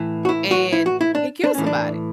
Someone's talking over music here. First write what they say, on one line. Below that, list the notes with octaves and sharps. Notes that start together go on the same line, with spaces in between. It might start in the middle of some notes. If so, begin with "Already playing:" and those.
and he killed somebody.
Already playing: A2 E3
F#4
E4
F#4
E4
F#4
E4
D4
D4
A2 E3 C#4
D4